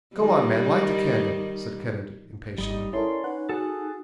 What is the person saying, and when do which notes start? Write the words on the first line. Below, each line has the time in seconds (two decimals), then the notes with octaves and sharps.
"Go on, man, light the candle!" said Kennedy impatiently.
0.15 D#3 G3
2.58 G#1 G3 D#4 D#5
2.93 C#4 E4 A4 A#4 C#5 D5 C6
3.24 D#4 B4 F#5 F#6
3.49 F#4 G#4 A4 F#6